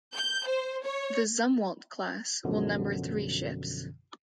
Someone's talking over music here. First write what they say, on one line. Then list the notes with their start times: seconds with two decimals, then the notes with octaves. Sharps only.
The "Zumwalt" class will number three ships.
0.15 G6
0.47 C5
0.83 C#5
2.44 A1 F#2 B2 D3 F3